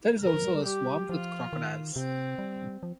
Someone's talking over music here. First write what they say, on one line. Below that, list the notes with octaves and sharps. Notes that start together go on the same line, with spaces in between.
There is also a swamp with crocodiles.
A#4
F3
G3
G3
G3 G4
F3 F4
D#3
C3 C4
G3
F3